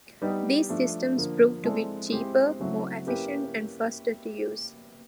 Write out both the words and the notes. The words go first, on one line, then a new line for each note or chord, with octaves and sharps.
These systems proved to be cheaper, more efficient and faster to use.
G3 B3 D#4 G4
F3 A3 D4
D3 F3 A#3
G#3 C4 E4 A4 D5
G#3 C4 E4 G4 C5
C#3 F#3 A3 C4 E4
A#3 C#4 E4 G4 B4